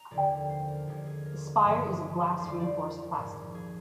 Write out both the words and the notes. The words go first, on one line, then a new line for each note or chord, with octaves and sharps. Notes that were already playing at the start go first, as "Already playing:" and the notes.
The spire is of glass reinforced plastic.
Already playing: A#5
F1 D#2 D3 D5
C5
A#4
F1 D#2 D3 G#3 G4
G#4
A#4
G#1 G2 F3
F2 D#3 G3 C5
D5
A#4
A#4
A#1 G#2 F3 G#3
G#4